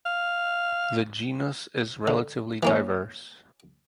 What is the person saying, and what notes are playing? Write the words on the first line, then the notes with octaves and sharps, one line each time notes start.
The genus is relatively diverse.
F5
D3
E3 A#3 C#4